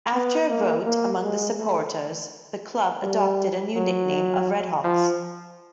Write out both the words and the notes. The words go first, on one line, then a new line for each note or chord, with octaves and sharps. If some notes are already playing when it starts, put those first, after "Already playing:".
After a vote among the supporters the club adopted a new nickname of RedHawks.
B3
A#3
A#3
G#3
A3
G3
F#3
F3